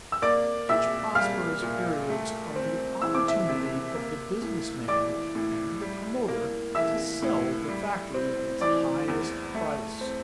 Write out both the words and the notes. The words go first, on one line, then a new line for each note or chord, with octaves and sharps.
Such prosperous periods are the opportunity of the business man and of the promoter to sell the factory at its highest price.
E6
A#3 D5 D6
A#2 E5 E6
G3 F5 F6
A#2
A3
C4
E3 E6
D6
E5 E6
C3
A#3
A2
E3 D5 D6
A2
G3
A#3
E3 E5 E6
A2
G3
C4
E3 D5 D6
E2
A3
C4